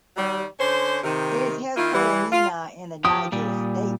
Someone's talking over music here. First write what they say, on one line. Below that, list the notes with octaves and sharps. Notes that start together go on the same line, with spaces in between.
It is headquartered in Minna in the Niger State.
D#3 F#3 G3
D3 C#4 C5
C3 D#3
D#3 A#3 E4 F4
E3 G3
F4
F3 G4 A5 D#6
A#2 G3